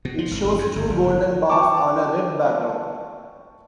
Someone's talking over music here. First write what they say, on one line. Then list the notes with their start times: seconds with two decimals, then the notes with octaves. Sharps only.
It shows two golden bars on a red background.
0.05 B2
0.18 F3
0.31 G#1
0.45 G#1
0.58 F#2
0.76 G1
0.90 G1
1.04 F#1
1.49 G5 A5 C#6 D6